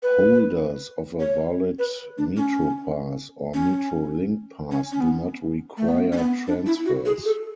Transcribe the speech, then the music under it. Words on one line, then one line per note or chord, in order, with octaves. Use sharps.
Holders of a valid MetroPass or MetroLink Pass do not require transfers.
B4
C#5
B4
D4
C#4
C#4
C#4
C#4
B3
A3
B3
C#4
B3
D4
E4
F#4
G#4
A4